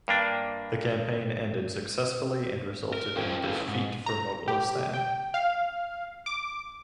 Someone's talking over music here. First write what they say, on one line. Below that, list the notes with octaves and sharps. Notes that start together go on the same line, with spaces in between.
The campaign ended successfully and resulted in defeat for Moghulistan.
G2 A#3 D4
A#4
C#4 F4 C5 G5
C#4 E4 F4 A4 B4
G#2
A#5
G4
G5
F5
D6